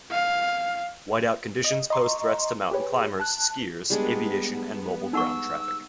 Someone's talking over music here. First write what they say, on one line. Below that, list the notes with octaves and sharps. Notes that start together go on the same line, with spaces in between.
Whiteout conditions pose threats to mountain climbers, skiers, aviation, and mobile ground traffic.
F5
D#5
D#5 A#5 C6 C#6
G4 G#4 B4 C#5
A5 F#6
G3 G#3 B3 D4
D#4 F#5 C#6 E6